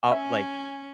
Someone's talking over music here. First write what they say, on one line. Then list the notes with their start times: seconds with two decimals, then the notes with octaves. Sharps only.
up like,
0.12 C#4 E5 G#5